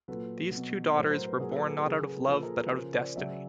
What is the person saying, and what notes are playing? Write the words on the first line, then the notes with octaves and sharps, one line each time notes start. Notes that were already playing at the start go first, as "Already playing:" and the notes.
These two daughters were born not out of love but out of destiny.
A#2 F#3 A4 B4
F#3
B2
A2 F#3 A#4 C5
A#4 C5
A4 B4
A#2 F#3 G#4 A#4
A4 B4
G#4 A#4
A4
C#3 F#3 G#4 A#4
A4 B4
A#2 F3 A4 B4
G#4 A#4
A4 B4
C#3 F3 A#4 C5
C5 D5
C#3 F#3 D5 E5